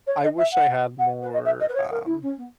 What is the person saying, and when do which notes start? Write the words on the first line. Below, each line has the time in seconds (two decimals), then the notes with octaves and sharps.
I wish I had more, um
0.07 C#5
0.23 D#5
0.37 E5
0.52 F#5
0.98 F#5
1.22 B4
1.32 D#5
1.45 E5
1.59 D#5
1.68 B4
1.75 C#5
1.90 A#4
2.05 E4
2.22 C#4
2.37 B3